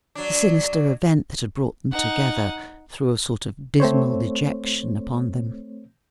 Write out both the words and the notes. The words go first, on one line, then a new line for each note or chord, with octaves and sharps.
The sinister event that had brought them together, threw a sort of dismal dejection upon them.
F#3 D4
D#4 F#5
A3 C4 C5 C#5